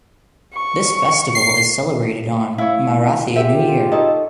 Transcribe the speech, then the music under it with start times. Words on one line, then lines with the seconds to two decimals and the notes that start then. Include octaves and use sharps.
This festival is celebrated on Marathi New Year.
0.55 C#6
1.35 C7
2.58 A3 E4 C#5 F5 E6
3.36 F4 G4 G#4 A#4 C5 E5 F#5
3.92 D#4 A4 C#5 D#5